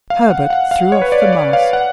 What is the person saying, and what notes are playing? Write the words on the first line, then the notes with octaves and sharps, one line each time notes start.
Herbert threw off the mask.
F5
F#5
F#5
F5
C#5
B4
D5
F5
D5
F5
F#5